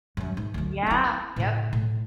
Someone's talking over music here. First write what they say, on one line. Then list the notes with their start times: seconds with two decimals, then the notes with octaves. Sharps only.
Yeah, yep.
0.17 F#2 F#3
0.37 G#2
0.54 D2 F#3
0.86 C4 E4
1.36 A2 C#3
1.73 A2